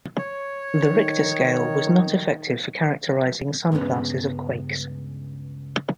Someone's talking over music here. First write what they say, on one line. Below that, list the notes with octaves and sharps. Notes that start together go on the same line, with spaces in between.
The Richter scale was not effective for characterizing some classes of quakes.
C#5
D#3
C#2 G2 G#3 B3 C#4